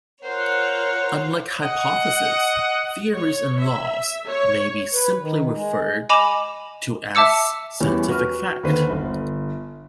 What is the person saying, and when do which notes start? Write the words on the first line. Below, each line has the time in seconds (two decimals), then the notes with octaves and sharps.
Unlike hypotheses, theories and laws may be simply referred to as scientific fact.
0.23 F4 A#4 C5 C#5 F#5
1.63 D#5 F#5
3.14 C#5
3.59 E5
4.28 C#5
4.94 B4
5.19 D#3
5.53 G#3
6.09 D#5 G#5 B5 D6 E7 F7
7.15 E5 A5 D6 E6 C#7
7.80 E2 E3 G3 C#4
8.08 F#4 B4 F6
8.63 D#2 D3 B4 C5
8.90 G1